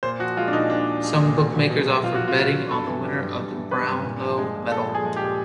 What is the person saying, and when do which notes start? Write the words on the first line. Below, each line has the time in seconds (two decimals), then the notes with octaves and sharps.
Some bookmakers offer betting on the winner of the Brownlow Medal.
0.03 A#2 C5
0.20 F3 F#4
0.37 G#3 F4
0.48 D4
0.53 A#2 D#4
0.70 A#2 D4
0.86 F3
1.04 G#3
1.20 A#2
1.37 B2
1.54 F#3
1.70 B2
1.87 F#3
2.04 B2 F4
2.15 F#4
2.21 F#3
2.28 F4
2.37 B2
2.55 F#3
2.71 G2 A4
2.87 E3
3.04 G3
3.21 G2
3.38 G2
3.54 E3
3.71 G3 B4
3.88 G2
4.04 A#2
4.21 F3
4.38 G#3
4.55 A#2
4.72 A#2 A4
4.88 F3
4.95 G#4
5.05 G#3
5.16 G4
5.22 A#2